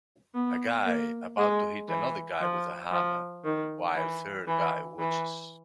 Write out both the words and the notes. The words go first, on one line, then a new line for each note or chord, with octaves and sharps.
A guy about to hit another guy with a hammer, while third guy watches.
B3
A#3
G#3
E3
F3
F3
D#3
E3
E3
E3